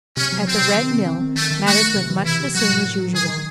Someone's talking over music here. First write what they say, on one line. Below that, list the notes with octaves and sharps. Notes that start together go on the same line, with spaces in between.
At the Red Mill matters went much the same as usual.
C3 C#4
F#3
C3 C4
C3
D#3
C4
C4
D#3
D#3 A3
D#3
A3 F#4
D#3
C3
E3
C3 E4
C3
F#3 F#4
A2
A2
F#3
D#3 G#4
D#3